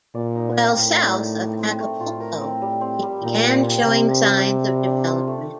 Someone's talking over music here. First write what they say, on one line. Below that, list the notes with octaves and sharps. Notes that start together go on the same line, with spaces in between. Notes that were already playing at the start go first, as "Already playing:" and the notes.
While south of Acapulco, it began showing signs of development.
A#2 D5
D#4
C4
A2 A#4
D5
D#4
A#4
C4
A3
A2 F4
A#4
C4
G3
C4
G3
A#2 D#4
G3
C4
C3 G3
D4
G3
G4
G3
D4
F4
A3